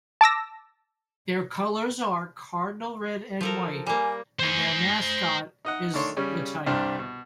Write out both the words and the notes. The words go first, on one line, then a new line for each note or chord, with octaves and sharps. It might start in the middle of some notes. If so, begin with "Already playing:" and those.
Their colors are cardinal red and white, and their mascot is the Tiger.
A5 D6 E6 A#6
F3 A4 A#4
G3 A#3 G#5
C5 G#5
D#4 D#5 F#5
D#3 A3 D4 C#5 C6
C#3 G3 C#4
C2 G2 D4 G4 C5 F6
B2